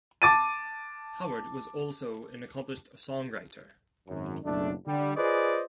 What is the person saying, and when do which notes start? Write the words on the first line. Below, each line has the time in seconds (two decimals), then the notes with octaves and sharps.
Howard was also an accomplished songwriter.
0.22 A5 D6 A6 D#7
4.08 G#1 F#2
4.44 F#1 B1 F#2 A3 D4
4.86 D3 G3
5.16 F4 G#4 B4 C5 D5 D#5